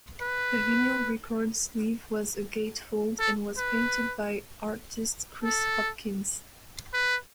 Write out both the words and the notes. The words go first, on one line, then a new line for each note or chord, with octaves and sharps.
The vinyl record sleeve was a gate-fold and was painted by artist Chris Hopkins.
B4
A4
B4
A4
B4